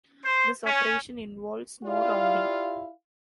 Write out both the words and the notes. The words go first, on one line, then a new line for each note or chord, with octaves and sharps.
This operation involves no rounding.
C5
C#4
E4 F4 G4 D5 F5